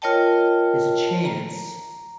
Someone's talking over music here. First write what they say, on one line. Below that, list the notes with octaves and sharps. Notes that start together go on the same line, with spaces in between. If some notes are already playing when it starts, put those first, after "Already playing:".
there's a chance
F4 A#4 C#5 D#5 G5 A5
A#5